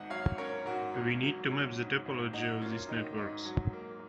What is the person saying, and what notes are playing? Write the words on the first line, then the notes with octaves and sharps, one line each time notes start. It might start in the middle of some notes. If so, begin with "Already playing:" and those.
We need to map the topology of these networks.
Already playing: G#1 G#2 D#5 F#5
F#3 C#5 F5
C#4 A#4 C#5
G#2 F#4 A#4
G#1
F#3
C#4
G#2
G#1
F#3 D#4 F#4
A#3 C#4 F4
D#3 D#4
G#2 D#4
F#3
A#3